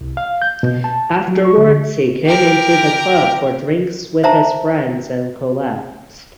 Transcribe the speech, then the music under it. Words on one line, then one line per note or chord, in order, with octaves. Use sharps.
Afterwards he came into the club for drinks with friends and collapsed.
C2
F5
G6
B2
A5
F#3
C#6
D3
G4 A#4
C5 E5 A5 A#5